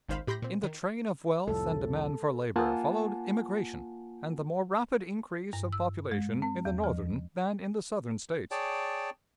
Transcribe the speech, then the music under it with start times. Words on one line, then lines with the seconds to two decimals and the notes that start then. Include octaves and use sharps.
In the train of wealth and demand for labor followed immigration and the more rapid increase of population in the Northern than in the Southern States.
0.09 G#1 C#2 D#3 C5 F5 B5
0.27 A2 G4 B5 C6 G6 A#6
0.42 A#2 C4
0.63 D#3
1.48 C2 F2 A2 A4
2.56 A#3 F4 F#5 G#5 A5
5.53 G2
5.73 E6
6.11 G#3
6.42 C4
6.65 E2
6.84 F3
8.51 G#4 C#5 D5 G5 A5